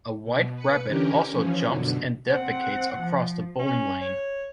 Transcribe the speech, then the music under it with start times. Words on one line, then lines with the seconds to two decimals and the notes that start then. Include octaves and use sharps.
A white rabbit also jumps and defecates across the bowling lane.
0.24 B2
0.55 B4 C#7
0.87 D3 E3 C#4 G4 A#4
1.30 E3 F3 C#4
1.68 F#2 B2 D3
2.30 C4 C5 F#5
3.00 F3
3.59 C#4
4.01 C#5